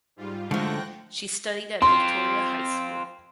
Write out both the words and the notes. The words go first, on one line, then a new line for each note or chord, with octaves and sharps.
She studied at Victoria High School.
G#2 G3 F4
F#2 D3 F3 G#3 A3 G5 F#6 A#6
C4 F4 C6